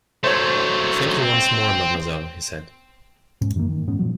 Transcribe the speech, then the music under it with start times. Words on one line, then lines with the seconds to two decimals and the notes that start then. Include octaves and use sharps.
"Thank you once more, mademoiselle," he said.
0.24 F#3 A3 C5 C#5
1.23 C4
3.41 E1 G#2 C#4
3.56 F#2 D#3 E3 A#3
3.69 D#3
3.87 G#2 B3 C#4
3.99 A#2 C#3 F3 F#3